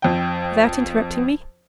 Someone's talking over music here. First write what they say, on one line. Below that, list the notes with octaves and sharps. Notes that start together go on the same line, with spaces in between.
"Without interrupting me?"
F2 G5